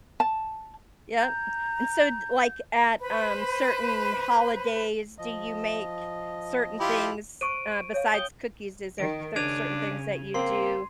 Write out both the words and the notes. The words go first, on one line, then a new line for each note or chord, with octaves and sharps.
yup, and so, like, at, um, certain holidays, do you make certain things, uh, besides cookies? Is there cer certain things that you do
A5
A#5 G6
B4 C5 B5
F3 D#5
E4 F4 G4
C5 C#6 D7 D#7
C#5 F5
G5 D#6 G6 G7
D#3 D7
C#3 D4 G#6 D#7 F7
A#3 C4 C6 C7